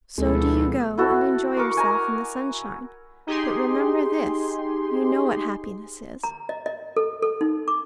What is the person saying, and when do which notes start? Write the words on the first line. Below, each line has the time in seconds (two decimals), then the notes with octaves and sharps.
So do you go, and enjoy yourself in the sunshine; but remember this--You know what happiness is.
0.18 D2 B2 F3 G#3 B3 E4 A4
0.98 E4 F#4 A4
1.57 A#4 C#6 D6
1.77 G#5 A#5
3.27 D#4 G4 G#4 C6
6.24 A#5
6.49 D#5
6.66 D#5
6.97 A4
7.22 A4
7.41 D#4
7.68 D6